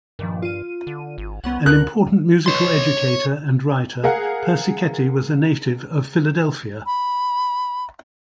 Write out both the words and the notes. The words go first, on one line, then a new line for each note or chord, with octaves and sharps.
An important musical educator and writer, Persichetti was a native of Philadelphia.
G2 A#2 D#3 F3
F4 D#7
D3
G#1
C2 B3 C#4 F#5
D2 A#4 F#6
C#5 C6
G#4 A#4 F5 F#5
B5